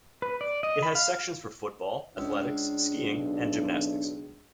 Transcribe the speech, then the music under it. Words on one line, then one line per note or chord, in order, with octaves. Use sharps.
It has sections for football, athletics, skiing and gymnastics.
B4
D5
D#5
B5
F5
C#2 D4
B1